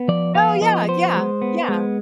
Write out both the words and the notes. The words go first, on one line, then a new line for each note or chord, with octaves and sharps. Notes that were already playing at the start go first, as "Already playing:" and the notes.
Oh, yeah, yeah, yeah.
Already playing: B3
F3 D5
B3 F5
F3 D#5
B3 C5
G#3
B3
G#3